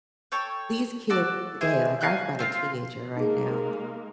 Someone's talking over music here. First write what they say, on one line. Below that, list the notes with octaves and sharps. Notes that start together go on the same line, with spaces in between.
these kids today, like I've got a teenager right now,
A4 C#5 G5
F#4 A4 D5
E4 G#4 C5
F5 G#5 F#6 G6
C4 F4 F5
G#3 A#3 D#4 G#4